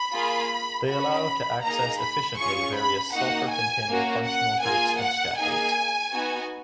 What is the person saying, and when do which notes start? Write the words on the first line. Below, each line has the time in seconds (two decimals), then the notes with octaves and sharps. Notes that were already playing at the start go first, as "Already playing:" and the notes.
They allow to access efficiently various sulfur containing functional groups and scaffolds.
Already playing: B5
0.14 A#3 F4 G#4
0.89 C#4 F#4 B5
1.63 A#3 D#4 G#4 A#5
2.01 B5
2.38 C#4 F4 G#4 C#6
2.76 B5
3.13 A#3 D#4 F#4 F#5
3.51 G#5
3.88 A#3 C#4 F#4
4.25 F#5
4.63 A#3 F4 G#4 G#5
5.01 F#5
5.38 A#3 D#4 G#4 G#5
6.13 B3 D#4 F#4